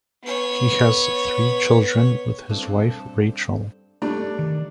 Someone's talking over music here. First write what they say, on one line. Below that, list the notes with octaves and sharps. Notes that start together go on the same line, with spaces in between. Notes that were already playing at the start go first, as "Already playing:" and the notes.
He has three children with his wife, Rachel.
B3 C#5
G2 C4 A4
G3 A3 D4 D5
D#3